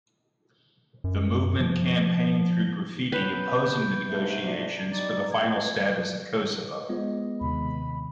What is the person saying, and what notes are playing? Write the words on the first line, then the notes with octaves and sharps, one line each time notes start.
The movement campaigned through graffiti opposing the negotiations for the final status of Kosovo.
F#2
F3
B3 C#4 B4 G6
G#2 C3 A3
A#3 D4
G3 D#4 D5 A6
F2 A3 G#6
G#3 B3 F4 C5 D#5
D#2 C3 D#3 B5